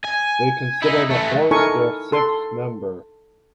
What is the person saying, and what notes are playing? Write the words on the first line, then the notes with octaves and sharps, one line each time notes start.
They consider the horse their sixth member.
G#5
D#4 E4
E3 A3
D#4 E4 A4 A#4 G#5 C#6
A4 C6